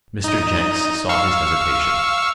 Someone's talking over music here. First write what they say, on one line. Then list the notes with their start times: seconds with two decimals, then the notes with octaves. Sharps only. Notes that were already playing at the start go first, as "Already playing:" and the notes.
Mr. Jenks saw his hesitation.
0.24 D#4 D#5
1.09 F5 C#6 E6